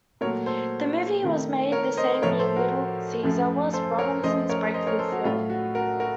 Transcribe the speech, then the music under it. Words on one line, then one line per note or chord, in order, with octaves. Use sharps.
The movie was made the same year "Little Caesar" was, Robinson's breakthrough film.
A#2 F#3 A3 A#4 C#5
A4 C5
F2 D#3 A3
A#4 C#5
C5 D#5
A2 F3 A3 A#4 C#5
A4 C5
F#4 A#4
F#2 F3 A3
A4 C5
A#4 C#5
F#2 F3 A3 C5 D#5
A#4 C#5
C5 D#5
A#4 C#5
A4 C5
F#4
A2 F#3 A3 F4
F#4
F#4 A#4
F#4 A#4